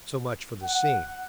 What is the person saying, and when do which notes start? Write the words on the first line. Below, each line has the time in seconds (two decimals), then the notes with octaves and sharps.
So much for the scene.
0.64 F#5